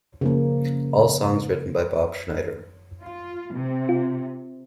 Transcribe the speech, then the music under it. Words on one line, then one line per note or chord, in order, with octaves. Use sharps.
All songs written by Bob Schneider.
C#3 F3 A#3
F4
C3
F4